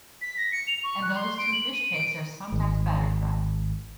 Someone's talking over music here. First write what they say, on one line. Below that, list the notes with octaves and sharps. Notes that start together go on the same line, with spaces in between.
And those two fish cakes are sometimes batter-fried.
B6
A#6
C#7
F7
C#6
F#6
C6
D7
F#7
D#7
D7
G#1